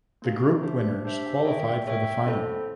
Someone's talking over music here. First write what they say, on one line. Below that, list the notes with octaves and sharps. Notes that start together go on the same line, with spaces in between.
The group winners qualified for the final.
A#3 D#4 G#4 C#5 F5
D4 G4 C5 E5
D4 G4 C5 E5
G#4 C#5 E5 G5
G#4 C#5 E5 G5
C4 E4 A4 C5